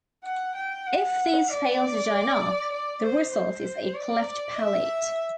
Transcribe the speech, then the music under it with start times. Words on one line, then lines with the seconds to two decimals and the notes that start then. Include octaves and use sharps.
If these fail to join up, the result is a cleft palate.
0.24 F#5
0.55 G5
0.87 F#5
1.49 D5
2.72 D5
3.02 C5
3.33 C5
3.94 D5
4.56 E5